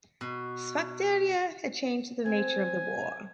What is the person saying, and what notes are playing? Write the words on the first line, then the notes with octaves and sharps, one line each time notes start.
Sphacteria had changed the nature of the war.
B2
C4 G#5